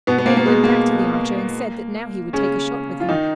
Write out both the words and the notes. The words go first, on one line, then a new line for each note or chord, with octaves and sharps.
The beggar went back to the archer and said that now he would take a shot with him.
B2 B3
B3
A#3
A#3
G#3
A#3
C#3 C#4
F4
D#3 D#4